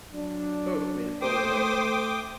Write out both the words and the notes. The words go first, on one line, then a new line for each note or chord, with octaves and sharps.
Both made a full recovery.
F#3 D4
A3 C5 G5 D6 D#6